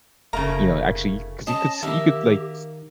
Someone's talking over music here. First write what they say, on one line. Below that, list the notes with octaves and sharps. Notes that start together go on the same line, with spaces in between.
you know, actually 'cause you could s you could, like, s
F1 C#3 A3 A#3 A#5
C#4 D#5 A5
D#3 A#3 G4 E5